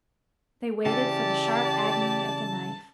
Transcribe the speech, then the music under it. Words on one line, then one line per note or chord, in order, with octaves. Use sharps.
They waited for the sharp agony of the knife.
C#3 E3 G4 D5 A5